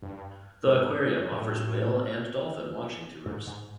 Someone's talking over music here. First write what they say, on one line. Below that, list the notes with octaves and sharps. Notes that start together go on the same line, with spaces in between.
The aquarium offers whale and dolphin watching tours.
G2
G#2
A2
G#2
G#2